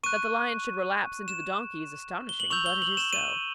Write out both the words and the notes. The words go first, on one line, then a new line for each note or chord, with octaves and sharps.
That the lion should relapse into the donkey is astonishing; but it is so.
C#6 F#6 D#7
E7
G7
F#7
C#6 E6 G6 F7
G7
F#7
E7
D#7